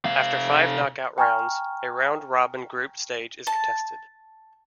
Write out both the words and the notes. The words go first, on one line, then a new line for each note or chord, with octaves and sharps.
After five knockout rounds, a round-robin group stage is contested.
C3 F5
G5 G#5 A#5 C#6 F6
A5